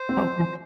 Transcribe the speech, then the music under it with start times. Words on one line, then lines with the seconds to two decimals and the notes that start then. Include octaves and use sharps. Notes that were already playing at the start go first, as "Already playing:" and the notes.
Oh, really?
Already playing: C5
0.09 C4